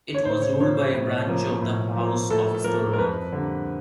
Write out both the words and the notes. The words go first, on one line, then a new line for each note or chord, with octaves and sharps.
It was ruled by a branch of the House of Stolberg.
C#5
A2 C5
C#5
F3 A#3 C#5
C5
A2
F3 A#3
A2
F3 A#3
A2 A4
F3 A#3 A#4
A#4
F2 B4
D3 G3 A#3